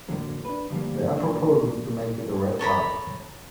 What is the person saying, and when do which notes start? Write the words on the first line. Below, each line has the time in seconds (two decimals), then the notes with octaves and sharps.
There are proposals to make it a red route.
0.08 F2 A2 D3 F#3 A#3
0.45 D4 B4
0.70 D3 F3 G3 A#3
1.17 A#2 F#3 D4 E4
2.59 A4 C#5 A#5 B5